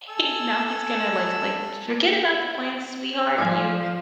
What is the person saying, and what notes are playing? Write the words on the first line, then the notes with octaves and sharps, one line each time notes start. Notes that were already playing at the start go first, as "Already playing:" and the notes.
he's now he's gonna, like like, "Forget about the plants, sweetheart, you
A4 G#5 E6
F3 D5 F5 G#5